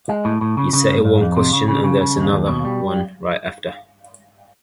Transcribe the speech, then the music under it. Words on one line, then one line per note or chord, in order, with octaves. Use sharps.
You settle one question and there’s another right after.
G#3
A2
A2
C#3
C#3
G2
G2
F2
C3
C#3
C#3
C#3
C#3
D#2
D#2
B2
G3